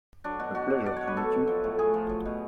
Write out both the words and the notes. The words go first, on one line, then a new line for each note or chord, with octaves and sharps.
A pleasure to meet you.
F#3 D4
B2 F#4
B2 F#4
F#3
F#3 D5
B2 C#5
B4
B2 A4
F#3
F3
A2
A2 G#4
F3
F#3
B2